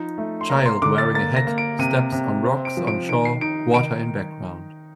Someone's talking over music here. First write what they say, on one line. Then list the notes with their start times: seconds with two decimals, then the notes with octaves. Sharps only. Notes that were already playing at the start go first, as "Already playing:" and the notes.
Child wearing a hat steps on rocks on shore, water in background.
Already playing: F3 D#4
0.18 A3
0.41 C6
0.49 A#3 A#5
0.66 C6
0.82 D3 D6
0.98 A6
1.14 A#3 A6
1.36 A#6
1.47 A#3
1.58 D7
1.79 C3 D#7
2.12 C3
2.44 C4
2.65 D7
2.77 F3
2.87 D7
3.09 D#3 D7
3.25 C7
3.41 D#4 D7
3.74 D#3 D7